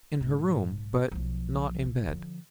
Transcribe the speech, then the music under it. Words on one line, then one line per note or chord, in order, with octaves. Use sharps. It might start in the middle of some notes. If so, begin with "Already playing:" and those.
'In her room, but not in bed.'
B1 G#2
B1 F3
C3
D3 F3